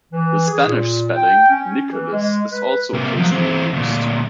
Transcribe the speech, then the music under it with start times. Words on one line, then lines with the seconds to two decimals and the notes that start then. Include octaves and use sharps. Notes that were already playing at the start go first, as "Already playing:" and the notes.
The Spanish spelling, "Nicolas" is also occasionally used.
0.12 E3
0.48 G#4
0.67 A#2
1.15 G5
1.49 C#4
1.92 E3
2.12 G#3
2.51 B4
2.93 C3 A#3
3.17 F3 F#3
3.32 E3 C4
3.73 D2 A#2